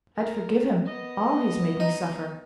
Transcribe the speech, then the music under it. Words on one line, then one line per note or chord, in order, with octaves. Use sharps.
I'd forgive him all he's made me suffer.
A#4
B3 D#5
D#4